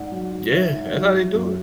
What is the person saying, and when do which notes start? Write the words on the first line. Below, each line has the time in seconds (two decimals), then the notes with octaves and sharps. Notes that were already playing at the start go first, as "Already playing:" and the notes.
Yeah, that how they do it.
Already playing: G#2 D5 F#5
0.12 F#3
0.32 G#2
0.52 G#2 C#5 E5
0.73 G#2
0.94 F#3
1.13 F#3
1.34 F#2